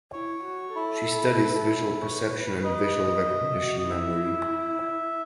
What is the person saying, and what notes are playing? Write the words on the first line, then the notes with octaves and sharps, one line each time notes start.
She studies visual perception and visual recognition memory.
E4 C#5
F#4
E4 A4
B4 C#5
D#5
E5
F#4
D#5
E4 E5